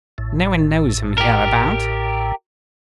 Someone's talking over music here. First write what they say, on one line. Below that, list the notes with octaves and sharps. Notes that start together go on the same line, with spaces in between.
No one knows him hereabout.
A1 A2
G4 A#4